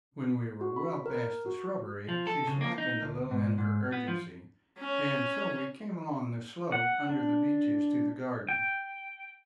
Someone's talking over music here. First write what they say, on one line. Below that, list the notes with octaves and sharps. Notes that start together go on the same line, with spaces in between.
When we were well past the shrubbery, she slackened a little in her urgency, and so we came along the slope under the beeches to the garden.
F#4
B5
A#4
F#4
F3
A4
C#3
A#3
D#4
D2
G#2
G#2
B3
F3
C#4
F#5
D4
G5